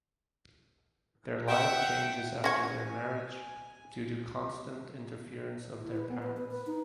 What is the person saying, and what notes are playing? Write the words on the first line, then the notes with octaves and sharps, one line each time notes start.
Their life changes after their marriage due to constant interference of their parents.
E5 F#5 G5
C#4 F#5 G#5 C#6 G#6 A#6
E4
B4
B3
B4
B4
B4
D#4